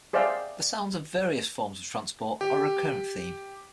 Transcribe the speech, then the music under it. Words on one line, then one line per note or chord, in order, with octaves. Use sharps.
The sounds of various forms of transport are a recurrent theme.
G#4 C5 D5 E5 F5 G5
G4